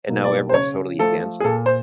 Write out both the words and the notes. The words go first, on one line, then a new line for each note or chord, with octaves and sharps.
and now everyone's totally against it.
B2 F#3 A#3 D#4
D5
C5
C#3 C#5
F3 A3 A4
G#4
A#2 A4
C5